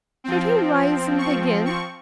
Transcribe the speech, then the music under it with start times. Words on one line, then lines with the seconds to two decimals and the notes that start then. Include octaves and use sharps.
Should he rise and begin?
0.24 F3 C4
1.18 C#6
1.66 C#6